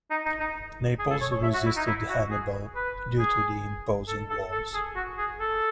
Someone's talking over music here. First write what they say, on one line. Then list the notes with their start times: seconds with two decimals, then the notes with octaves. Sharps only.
Naples resisted Hannibal due to the imposing walls.
0.11 D#4
0.25 D#4
0.40 D#4
0.99 G#4
1.10 A4
1.21 C#5
1.31 C#5
1.43 E5
1.54 F#4
1.65 E4
1.76 D#4
1.87 E4
2.09 F#4
2.31 G#4
2.75 B4
3.19 G#4
4.08 A4
4.29 A4
4.52 A4
4.74 G#4
4.96 F#4
5.18 G#4
5.40 A4